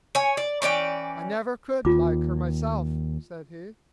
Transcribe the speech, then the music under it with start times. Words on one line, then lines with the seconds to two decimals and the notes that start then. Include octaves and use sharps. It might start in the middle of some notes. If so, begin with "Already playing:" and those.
'I never could like her myself,' said he.
0.15 C#5 G#5
0.37 D5
0.62 E3 C#4 D5 G5
1.85 D#2 F4 D6